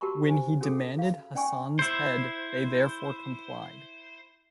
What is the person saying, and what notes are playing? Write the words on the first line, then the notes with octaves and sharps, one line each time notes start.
When he demanded Hasan's head, they therefore complied.
F#4 G4 A#4 A5 B5 C#6
C5 G#5
C#4 F#4 G#4 A4
F5
C#4 D5 G5 G#5 C#6
E4 C5